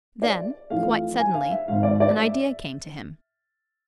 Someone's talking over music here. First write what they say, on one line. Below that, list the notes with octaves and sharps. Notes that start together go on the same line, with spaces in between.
Then, quite suddenly, an idea came to him.
D5
F2 E3 A3 F5
G#5
F5
E5
G#1 G#2 G#3 F5
D5
D5
E5